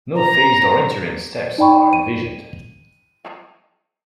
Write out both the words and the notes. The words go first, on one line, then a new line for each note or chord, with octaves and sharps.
No phased or interim steps are envisioned.
A#5
D#4 D5 G5 B5 C#6
D#7